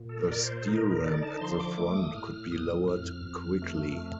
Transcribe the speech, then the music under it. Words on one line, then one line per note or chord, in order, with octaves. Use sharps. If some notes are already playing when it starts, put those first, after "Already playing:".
The steel ramp at the front could be lowered quickly.
Already playing: A#2
A4
A#4
A#2 D5
C5
A4
D#4 A#4
A#4
D3 D5
A5
F3 C6
D6
A3 D6
D#6
A2 F6
F6
A2 D#6
F2 F6
F2
A3